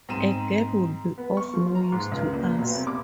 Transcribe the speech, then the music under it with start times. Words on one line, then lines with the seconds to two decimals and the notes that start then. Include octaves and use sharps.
A girl would be of no use to us.
0.09 G#2 C4 A#5 D#7 E7
1.18 B3
1.37 C#6
1.53 F3
1.75 A#5
1.92 G#2
2.12 C#2
2.33 A#1
2.59 B1
2.75 C2
2.87 D6